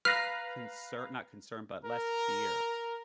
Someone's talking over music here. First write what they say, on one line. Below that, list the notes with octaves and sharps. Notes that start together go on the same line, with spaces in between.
concer not concern, but less fear
B4 F5 A#5 F6
A#4